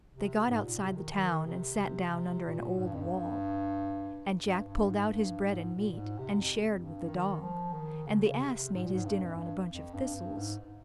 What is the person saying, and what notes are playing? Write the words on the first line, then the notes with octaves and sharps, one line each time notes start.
They got outside the town, and sat down under an old wall, and Jack pulled out his bread and meat, and shared with the dog; and the ass made his dinner on a bunch of thistles.
C3
G#2
A#2
C3
D#3
D#3
C3
C3
C3
A#2
G#2
G2
F2
G2
G2
G2
G#2
G2
G#2
A#2
A#2
G#2
C3
F2
G2
D#3
F3
D#3
C#3
C#3
C3
G#2
A#2
G#2
G2
F2
G#2
G2
F2
G2
G2
G#2